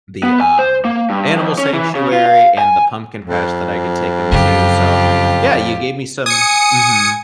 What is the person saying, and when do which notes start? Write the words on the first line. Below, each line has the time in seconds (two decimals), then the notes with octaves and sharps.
the, um, animal sanctuary and the pumpkin patch that I could take him to. So, yeah, you gave me some mhm.
0.23 B3
0.41 G#5
0.59 C5
0.85 A#3
1.10 G2
1.36 F2
1.58 C#4
1.74 E3
1.95 C#3
2.12 F4
2.26 F5
2.58 G#5
3.24 F2
4.31 F#2 C#3 F4 G4
6.26 G#5 D#6 C#7